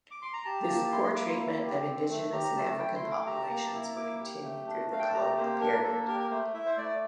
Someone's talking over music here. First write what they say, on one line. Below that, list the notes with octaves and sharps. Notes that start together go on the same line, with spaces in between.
This poor treatment of indigenous and African populations would continue though the colonial period.
D6
C6
A#5
G4 A5
A#5
A#3 A5
E4 C6
C6
A#3 D6
C6
E4
G4
C4
A3
G4 A#5
A3 A5
E4 G5
C6
A3
D6
G4 A#5
A5
A#3 A#5
A5
E4 A#5
A#3 D6
G4
A3
D4
A3 F5
G5
A5
G4 A#5
A#3 C5
D4 A#4
A#3 A4
G4 A#4
A#4
A3 C5
E4 E5
C5
A3 D5